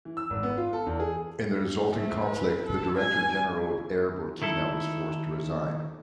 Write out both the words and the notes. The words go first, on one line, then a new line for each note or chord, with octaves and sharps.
In the resulting conflict, the director-general of Air Burkina was forced to resign.
E3
E6
G#1
B3
F4
A4
E2
G#4
A3
B4
A4
G#5
D#3 E4 A4